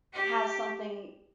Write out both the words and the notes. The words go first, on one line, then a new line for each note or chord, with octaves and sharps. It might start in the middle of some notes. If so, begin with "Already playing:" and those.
has something
G4